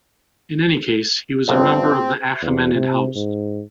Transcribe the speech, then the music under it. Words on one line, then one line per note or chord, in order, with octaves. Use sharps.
In any case, he was a member of the Achaemenid House.
G1 F2 C4
E2
C3
G#2